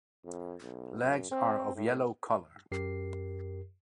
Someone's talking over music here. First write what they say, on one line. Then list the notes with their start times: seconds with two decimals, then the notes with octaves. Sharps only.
Legs are of yellow colour.
0.25 F2
0.62 B1
1.01 F#2
1.31 C4
1.75 A2
2.72 F#2 G4 A#4 C7